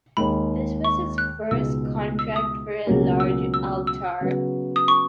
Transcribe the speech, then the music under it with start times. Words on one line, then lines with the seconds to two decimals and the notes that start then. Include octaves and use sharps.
This was his first contract for a large altar.
0.17 D#2 D#3 G#3 B5
0.85 C#6
1.18 F#6
1.51 C#2 B2 G#3 D#4 E6
2.19 E6
2.36 D#6
2.86 C#2 B2 F#3 A#3 C#4
3.20 E6
3.54 E6
3.87 E6
4.21 C#3 F#3 B3 F#4
4.76 D#6
4.88 C#6